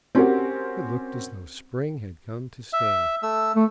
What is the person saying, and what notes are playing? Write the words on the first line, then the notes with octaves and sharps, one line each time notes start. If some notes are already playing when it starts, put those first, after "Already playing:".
It looked as though spring had come to stay.
C4 C#4 F#4 G4 A#4
E5
A3 E6
A3